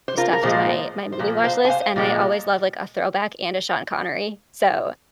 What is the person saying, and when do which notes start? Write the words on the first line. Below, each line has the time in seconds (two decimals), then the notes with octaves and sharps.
stuff to my my movie watch list, and I always love, like, a throwback and a Sean Connery, so,
0.08 C5
0.17 F4 A#4
0.33 A#4
0.43 A#2 F3 G#3 G#4 C5
1.12 C5
1.19 A#2 F3
1.44 C5 F5
1.65 G#5
1.70 C5 F5
1.96 A#2 F3 G#3